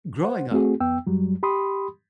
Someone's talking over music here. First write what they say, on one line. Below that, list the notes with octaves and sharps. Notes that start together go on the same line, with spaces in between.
growing up
C5 F#5
A3 C4 F#4 G#4
F2 B3 G5 E6
F#2 F#3 G3
G4 B5 C6 D#6